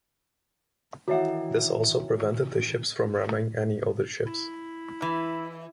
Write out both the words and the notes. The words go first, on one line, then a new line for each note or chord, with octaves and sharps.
This also prevented the ships from ramming any other ships.
D#3 E3 F#4 C#5 E5 F#5
E4
E3